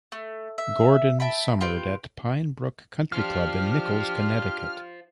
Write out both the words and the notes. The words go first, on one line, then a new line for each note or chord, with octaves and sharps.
Gordon summered at Pine Brook Country Club in Nichols, Connecticut.
A3
E5
E5 G5 A5 B5
F4 G4 B4 G5
D4 F4 G4 C5 F6